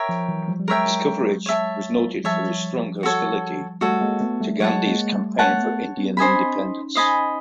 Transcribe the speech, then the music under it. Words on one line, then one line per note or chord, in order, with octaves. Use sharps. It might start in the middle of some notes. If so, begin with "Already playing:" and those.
His coverage was noted for his strong hostility to Gandhi's campaign for Indian Independence.
Already playing: A#4 C#5 E5 G5
F3
E3 F#3
F3 G3
G3
F#3 G#3 A#4 C#5 E5 G5
C#5 E5 A5
F3 G3 C#5 E5 A5
F#4 A4 C#5
G3 A3 F#4 A4 C#5
G#3 A#3
A3 B3
G3 A3
F#3 G#3 C#5 F#5 A5
G#3 A#3
G3 A3
G#3 A#3 C#5 F#5 A5
A#3
A3 B3
B3 C#4
C4 D4 C5 D#5 G#5 B5
C#4 D#4
C5 D#5 G#5 B5